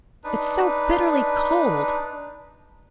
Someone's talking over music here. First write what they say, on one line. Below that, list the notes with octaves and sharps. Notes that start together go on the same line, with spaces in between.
It's so bitterly cold.
D4 D#4 B4